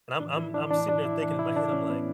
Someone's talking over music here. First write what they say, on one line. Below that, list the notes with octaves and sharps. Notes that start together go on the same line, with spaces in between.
and I'm I'm I'm sitting there thinking in my head, I'm like,
A2 E3 D4
E4
D4
A2 E3 D4
D4
E4
A2 E3 D4
E4
D4
A2 E3 C#4
B3